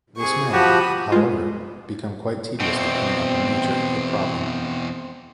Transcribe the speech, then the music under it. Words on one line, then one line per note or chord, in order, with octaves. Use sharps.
This may, however, become quite tedious depending on the nature of the problem.
C3 G#4 C#6
F3 F#4 G4 A5 B5 D#6
G#3 F4
E2 B2 C4